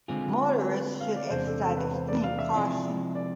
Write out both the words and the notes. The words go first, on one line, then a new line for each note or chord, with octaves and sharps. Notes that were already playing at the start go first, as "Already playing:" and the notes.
Motorists should exercise extreme caution.
D3 G#3 C4 F4 G#4
B4
F5
D5
E2 C3 G#3 D4 C5
A4
A4
B4
C5
D5
F5
E5
C3 F3 G#3 C4 E4 D5
D5